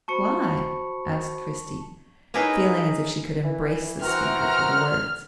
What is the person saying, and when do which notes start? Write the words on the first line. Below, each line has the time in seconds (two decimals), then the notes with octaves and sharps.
"Why?" asked Christie, feeling as if she could embrace the speaker for the words.
0.08 F#4 C5 A5 B5 C#6 C#7
2.34 D#4 E4 G#4 A#4 B4 C#5
3.44 E3
4.02 C4 F#4 A#4 C5 F#5 A#5 F6